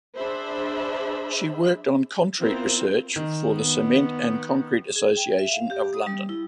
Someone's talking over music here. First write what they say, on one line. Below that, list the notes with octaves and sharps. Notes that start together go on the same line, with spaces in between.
She worked on concrete research for the Cement and Concrete Association of London.
D4 G#4 C5 E5 B5
B3 C4 E4 F4 A#4 C5
D#3
B3
G#4
G5
E5
F5
G4
D#6
G3
E4